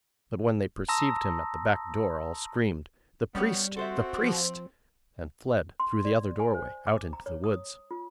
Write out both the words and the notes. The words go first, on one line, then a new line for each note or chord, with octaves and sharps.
But when they perceived him at the back-door all screamed, "The priest! the priest!"--and fled, through the other doorway, out into the woods.
A5 A#5 C6 D#6 E6 A#6
G3 B3 C#4 G4 C#5
C4 F#4 A4 C5 E5
F3
C6
D5
G#5
C5
D6
A#5
C#5
D#6
F4